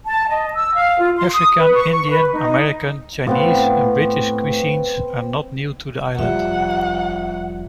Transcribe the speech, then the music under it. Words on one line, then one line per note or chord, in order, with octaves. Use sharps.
African, Indian, American, Chinese and British cuisines are not new to the island.
A5
D#5
E6
F5
F4
C6
D#6
B4
C#6
C#6
B4
D#4
A2 B3 C4 F5
F1 F3 G3 E5 F#5